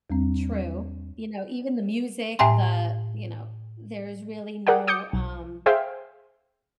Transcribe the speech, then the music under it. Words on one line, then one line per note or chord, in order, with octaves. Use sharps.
True, you know, even the music, the, you know, there is really no, um,
E2 G3 C4
A2 E5 G5 G#5 C6
G#4 A#4 D5 F#5 G5
D6 D#6 G6 C#7
B1
G#4 C5 E5 F5 G5